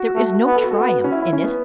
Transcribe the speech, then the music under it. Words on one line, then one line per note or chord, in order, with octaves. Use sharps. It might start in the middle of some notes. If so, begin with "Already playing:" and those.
There is no triumph in it.
Already playing: F#4
A3
B3
A4
F#4
A4
B3 F#4
C#4
E4
E4
C#4
B3